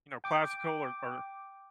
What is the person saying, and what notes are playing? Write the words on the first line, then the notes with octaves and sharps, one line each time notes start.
you know, classical or or
G5 D6